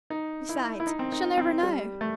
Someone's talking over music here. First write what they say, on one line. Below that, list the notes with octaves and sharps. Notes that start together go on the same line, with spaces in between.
Besides, she'll never know.
D#4
E4
E4
D#4
C4
D#4
C4
G3
A3